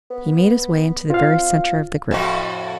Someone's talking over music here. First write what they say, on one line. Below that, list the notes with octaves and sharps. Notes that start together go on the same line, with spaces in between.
He made his way into the very centre of the group.
B3
C4 F4 F5
F2 A2 F#4